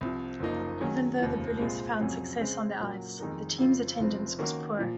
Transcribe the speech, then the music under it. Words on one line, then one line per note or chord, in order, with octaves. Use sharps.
Even though the Bullies found success on the ice, the team's attendance was poor.
C2 C3 F3
F#1 F#2 F3 A#3 D#4
D#3 F#3 C#4 G#4
F1 D#2 C#3 F3
C2 A#2 G#3 C4 F4
F2 C3 F#3 C#4 G#4
C#3 G#3 C4
A#2 F#3 C#4 F#4 A#4
F2 D#3 G#3 D#4 A#4
F2 C#3 F3 C4 F4
F1 F2 C#3 F3 C4
D#3 A#3 C#4 F#4
A#2 F3